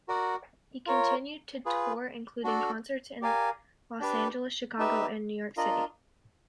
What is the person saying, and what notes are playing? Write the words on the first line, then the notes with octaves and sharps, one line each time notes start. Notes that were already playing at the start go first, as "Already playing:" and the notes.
He continued to tour including concerts in Los Angeles, Chicago and New York City.
F#4 A#4 D5 F#5
F4 A#4 C#5
F4 G#4 B4
D4 F#4 A4 D5
G4 A#4 D5 F5 G#5
D4 G4 B4
D#4 G4 B4 E5
D4 F4 A#4 D#5